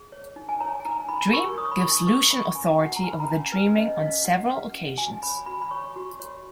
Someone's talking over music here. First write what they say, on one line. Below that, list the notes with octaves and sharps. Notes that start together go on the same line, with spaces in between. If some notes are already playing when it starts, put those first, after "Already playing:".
Dream gives Lucien authority over the Dreaming on several occasions.
Already playing: G#4
C#5
D#4
G#5
C#5 A#5
G#5
D#4 A#5
D#4 B5
B5
A#4 C#6
C#5 D#6
B5
D#4 C#6
B4 C#6
C#4 B5
C#4 G#5
F#4 F#5
A#5
B4 G#5
B5
A#5
C#4 G#5
B4
C#4 D#5
D#5
C#4 F5
F#4 F#5
B4
C#4
F#4 G#5
C#5 B5
F#4 B5
B5
C#5 C#6
F#4
C#5